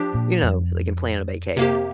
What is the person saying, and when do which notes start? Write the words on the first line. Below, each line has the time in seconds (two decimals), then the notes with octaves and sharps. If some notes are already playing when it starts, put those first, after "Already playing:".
you know, so they can plan a vacation,
Already playing: F3 D4 G4
0.14 A#2
0.43 F2
1.57 C3 A#3 G4